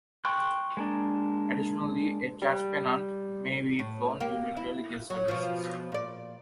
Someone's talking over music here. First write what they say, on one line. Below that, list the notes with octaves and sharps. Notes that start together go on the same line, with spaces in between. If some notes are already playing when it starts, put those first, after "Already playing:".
Additionally, a Church pennant may be flown during religious services.
G5 C6 C#6 F#6
G#3 A#3 D4
G3
A2
A#3 G4
E4
F#3
B2 F3
A#2 D5